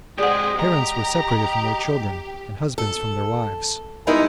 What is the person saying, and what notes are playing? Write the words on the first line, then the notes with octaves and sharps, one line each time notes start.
Parents were separated from their children and husbands from their wives.
G#3 C4 G4 G#4 D5 F#5 D#6
G4 D#5 A#5
A4
G3 G#3 B3 D#4 E4 A#4